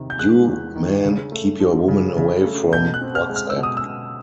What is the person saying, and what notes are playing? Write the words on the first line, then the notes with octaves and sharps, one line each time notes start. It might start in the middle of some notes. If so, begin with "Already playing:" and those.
You, men, keep your women away from WhatsApp.
Already playing: E2 C3 D#3
G6
G#3 F#6
E2
D#3
C#3
A3
F3
C#3
C#3
A3
B2 G6
F#6
C4
F6
G#3
F6
E6
B2
D#6
E6
B2